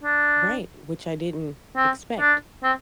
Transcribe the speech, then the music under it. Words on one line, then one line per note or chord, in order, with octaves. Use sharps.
Right, which I didn't expect.
D4
C4
D4
C4